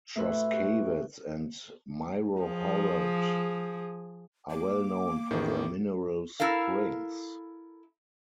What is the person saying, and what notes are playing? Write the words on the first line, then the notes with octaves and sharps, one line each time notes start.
Truskavets and Myrhorod are well known for their mineral springs.
A2 A3 F#4 B4 C6 E6
F#4 G4
F3 G#4
A#3 D6
A1 A2 D#3
E4 A4 A#4 F5